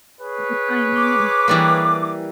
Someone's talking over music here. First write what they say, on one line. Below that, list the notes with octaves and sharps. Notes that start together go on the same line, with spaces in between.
the timing and
G#4 B4 C#5
D6
E3 G3 A#3